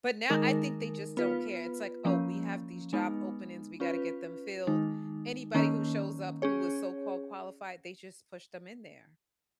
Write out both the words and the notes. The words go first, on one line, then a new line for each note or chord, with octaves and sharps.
But now I think they just don't care. It's like, "Oh, we have these job openings. We gotta get them filled." Anybody who shows up who was so-called qualified, they just pushed them in there.
D#3 G#3 D#4 A#4
B3 F4 B4
F3 A#3 C#4
G#3 B3 D#4
C#4 F4 B4
D#3 G#3 D#4
D#3 A#3 C#4
C#4 G#4 C#5